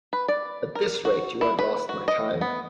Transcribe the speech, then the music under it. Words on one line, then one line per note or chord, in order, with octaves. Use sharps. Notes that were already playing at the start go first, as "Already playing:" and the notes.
At this rate you won't last my time.
B4
D5
A#4
F#4
E4
B4
F#4
D#5
B3